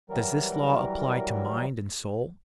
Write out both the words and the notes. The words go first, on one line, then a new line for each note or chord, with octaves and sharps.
Does this law apply to mind and soul?
E3 F#3 G3 A#4